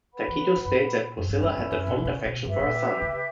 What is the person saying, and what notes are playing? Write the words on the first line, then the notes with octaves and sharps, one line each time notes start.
Tacitus states that Procilla had a fond affection for her son.
B4 F#5 B5
E3
C#3
G2
A#2
F#2
G2 C#4 E4 B4
F#2
F#2
F#2
B2
D3
C#3
B2
G2 G4 B4 E5
B2
A#2
C#3